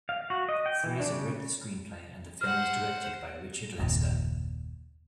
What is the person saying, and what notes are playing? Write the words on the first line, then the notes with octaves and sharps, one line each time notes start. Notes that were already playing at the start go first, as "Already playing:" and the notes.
Fraser wrote the screenplay and the film was directed by Richard Lester.
F5
F#4
D#5
G5
E3
D4
C#3
C5 F#5 F6
F#1 D#2 A#2